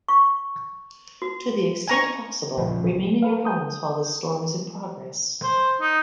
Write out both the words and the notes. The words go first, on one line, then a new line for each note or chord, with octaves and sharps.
To the extent possible, remain in your homes while this storm is in progress.
C#6
F#4
G#5 A#5 C#6
A#1 C#3 F3
A4 B4 F5
D#6 G6
C5
D#4